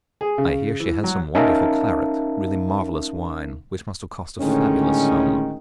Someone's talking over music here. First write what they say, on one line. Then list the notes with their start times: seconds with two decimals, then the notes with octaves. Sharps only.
I hear she has some wonderful claret, really marvellous wine, which must have cost a fabulous sum.
0.21 G#4
0.38 C#3
0.80 E3
1.04 F#3
1.35 C#4 D#4 A#4 E5 F5 A5
4.41 A2 D3 D#3 G#3 C#4